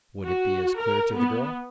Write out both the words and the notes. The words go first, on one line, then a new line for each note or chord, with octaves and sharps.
Would it be as clear to the girl?
F#4
A#4
B3